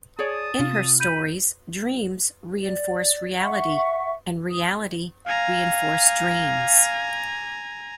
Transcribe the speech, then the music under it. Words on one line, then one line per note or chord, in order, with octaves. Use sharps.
In her stories dreams reinforce reality and reality reinforce dreams.
G#4 C#5 D5 A5 D#6
C3 F4
B5 G6 D#7
D5
E5 F#5 C#6
D#6
F5 G#5 A#5